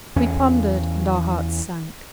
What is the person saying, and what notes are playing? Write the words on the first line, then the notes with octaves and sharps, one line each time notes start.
We pondered, and our hearts sank.
E2 C#4